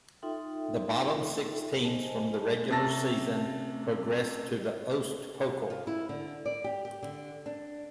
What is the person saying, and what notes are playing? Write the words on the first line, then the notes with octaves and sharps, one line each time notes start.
The bottom six teams from the regular season progressed to the Ost Pokal.
D#4 F4 A4 E5 G5 C6
C5 D#5 G#5 A5
C3 C#4 A5 A6 A#6
F4
E4
D3
D5
G4
G4
D3
D4